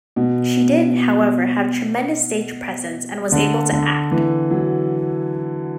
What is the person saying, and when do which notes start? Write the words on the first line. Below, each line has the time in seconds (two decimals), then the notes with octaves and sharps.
She did, however, have tremendous stage presence and was able to act.
0.16 B2
3.32 D3
3.72 D3
4.11 E3
4.51 F#3